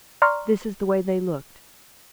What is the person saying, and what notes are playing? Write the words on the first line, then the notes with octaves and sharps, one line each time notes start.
This is the way they looked.
D5 A#5 C6 C#6 F6